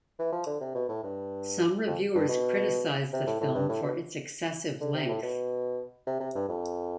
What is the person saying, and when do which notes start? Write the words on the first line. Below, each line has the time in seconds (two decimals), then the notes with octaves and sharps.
Some reviewers criticised the film for its excessive length.
0.19 E3
0.32 F3
0.47 D3
0.61 C3
0.75 B2
0.89 A2
1.03 G2
1.87 F2
2.15 G2
2.29 B2
3.13 C3
3.27 A2
3.41 A2
3.55 G2
3.69 A2
3.83 B2
4.81 D3
4.95 C3
5.09 A2
5.23 B2
6.07 C3
6.20 C3
6.35 G2
6.49 F2